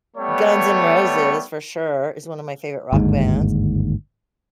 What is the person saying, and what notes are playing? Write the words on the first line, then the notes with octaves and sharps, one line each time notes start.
Guns N' Roses, for sure, is one of my favorite rock bands.
G3 A3 B3 C#5
G1 D#2 G#2